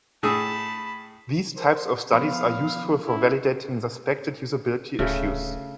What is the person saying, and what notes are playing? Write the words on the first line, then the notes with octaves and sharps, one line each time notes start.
These types of studies are useful for validating suspected usability issues.
A2 G#4 A5 B5 E6
A#4 C5
F3 B3 F5 B5
C#4 E4
D1 C#3 A3